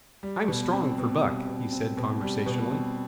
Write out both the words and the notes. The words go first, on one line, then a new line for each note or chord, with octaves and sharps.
"I'm strong for Buck," he said conversationally.
G3
B2
C4
B2
G3
B2
C4
B2
G3
B2
C4